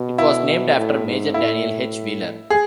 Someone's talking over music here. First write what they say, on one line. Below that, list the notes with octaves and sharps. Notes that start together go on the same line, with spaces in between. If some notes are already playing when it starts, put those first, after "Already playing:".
It was named after Major Daniel H. Wheeler.
Already playing: B2
E4
A2
G#2
A2 E4
G#4